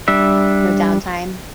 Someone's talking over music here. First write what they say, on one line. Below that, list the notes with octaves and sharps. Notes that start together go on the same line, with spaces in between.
No downtime?
G3 D4 E5